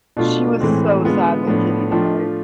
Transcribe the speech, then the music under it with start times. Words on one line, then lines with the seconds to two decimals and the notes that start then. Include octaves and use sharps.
She was so sad when Kitty died.
0.17 B2 A3 D4 F4
0.60 A2 E3 G#3 C4
1.05 D3 G#3 B3 F4
1.47 A2 F3 B3 D4
1.91 F3 A3 D4 F4